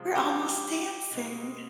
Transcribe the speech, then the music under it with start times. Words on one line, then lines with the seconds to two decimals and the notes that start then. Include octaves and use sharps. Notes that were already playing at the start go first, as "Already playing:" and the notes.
"We're almost dancing."
Already playing: C3 F3 G#3
0.15 G4
1.12 B2 G#3